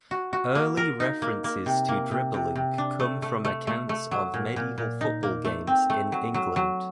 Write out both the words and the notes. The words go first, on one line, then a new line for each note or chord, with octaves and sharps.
Early references to dribbling come from accounts of medieval football games in England.
F#4
F#4
A#3
A#4
D#4
A#3
A#3
C3
A#3
C3
C3
C3
D4
A3
A3
A3
A3
A3
F#3
A#2
A#2
A#2
D#4
A#3
A3
C4
A3
F#3
F#3
F#3